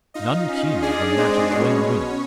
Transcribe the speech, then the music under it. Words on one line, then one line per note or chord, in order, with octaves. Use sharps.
None keener than that of Gwen Wynn.
D#4 F4 D#5
C#4
D4 G#4 D5
G#3 C4 C5
B2 C#4 C#5